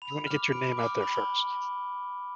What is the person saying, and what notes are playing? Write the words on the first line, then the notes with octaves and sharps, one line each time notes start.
You wanna get your name out there first
B5 F7
D6 F6
B5 D7
D6 F6
B5